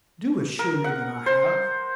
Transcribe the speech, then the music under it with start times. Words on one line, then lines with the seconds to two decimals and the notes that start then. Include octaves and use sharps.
Do assure me that I have.
0.59 A#4
0.84 F#5
1.26 C5